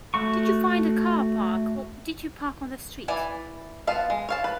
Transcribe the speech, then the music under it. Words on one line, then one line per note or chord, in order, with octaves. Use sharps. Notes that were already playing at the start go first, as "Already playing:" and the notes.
Did you find a car park, or did you park on the street?
A3 F#4 C#6
E3 E4 D5 G#5
B3 F4 F5 A5
G#3
C#5 F5 A5
B4